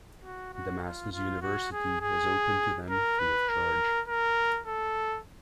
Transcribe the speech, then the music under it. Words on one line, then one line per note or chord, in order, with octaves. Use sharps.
Damascus University is open to them free of charge.
F#4
F#4
F4
F4
F#4
G#4
G#4
A#4
B4
A#4
A#4
A4